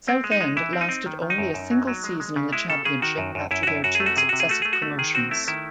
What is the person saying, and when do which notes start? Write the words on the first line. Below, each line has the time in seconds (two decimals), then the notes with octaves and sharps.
Southend lasted only a single season in the Championship after their two successive promotions.
0.07 C4
0.24 G#3
0.31 D#4
0.41 G#3
0.57 E3 E4
0.73 C4
0.81 D#4
0.89 C4
1.06 D#3
1.22 D#3
1.30 D#4
1.38 F#2
1.54 F#2
1.71 F#3
1.87 F#3
2.04 G#3
2.20 G#3
2.36 C#3
2.53 G#3 E4
2.69 C#3 A4
2.85 C#3 G#4
3.02 D#3 F#4
3.18 F#2
3.35 F#2
3.51 F#2 E4
3.63 F#4
3.67 F#2 E4
3.84 F#2 F#4
3.95 G#4
4.00 A3
4.06 F#4
4.17 C3 G#4
4.29 C3 F#4
4.40 G#4
4.49 A3 F#4
4.62 A3 G#4
4.73 F#4
4.82 A3
4.98 D#3 G#4
5.15 C4 F#4
5.31 A3 E4
5.48 D#3 E4